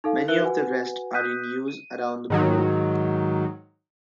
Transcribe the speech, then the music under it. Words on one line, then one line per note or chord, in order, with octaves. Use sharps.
Many of the rest are in use around the globe.
D#4 A4 F5
D#4 A#4 B4 E5 F#6 G7
F#4 B4 F#5 G#5
D#6 F#6 G6 B6 D#7
D#7
G#2 D#3 F#3